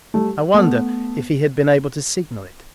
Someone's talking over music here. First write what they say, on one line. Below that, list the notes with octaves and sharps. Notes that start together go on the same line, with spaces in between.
I wondered if he had been able to signal it.
G3 A3
A3 B3